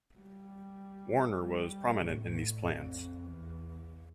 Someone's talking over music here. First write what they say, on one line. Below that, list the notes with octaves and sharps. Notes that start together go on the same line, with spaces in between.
Warner was prominent in these plans.
G3
G3
A2
F2
E2